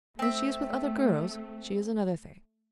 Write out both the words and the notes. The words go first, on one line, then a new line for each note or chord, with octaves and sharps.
When she is with other girls she is another thing.
A3 C4 E5